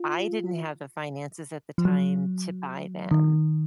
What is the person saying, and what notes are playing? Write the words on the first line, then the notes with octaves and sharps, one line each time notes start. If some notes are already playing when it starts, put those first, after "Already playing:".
I didn't have the finances at the time to buy them,
Already playing: F4
F3
F#3
D#3